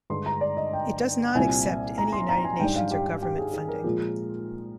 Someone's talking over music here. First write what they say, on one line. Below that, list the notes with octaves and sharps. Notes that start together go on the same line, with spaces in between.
It does not accept any United Nations or government funding.
G2 D3 G#3 C6
A#5
D5
D#5
G5
C2 A#2 G3 C4 G#5
A#5
C6
A#5
G#5
G#2 G3 D4 G5
F5
G4
G4
G4
G#4
G#4
A#4
A#2 F3 G#3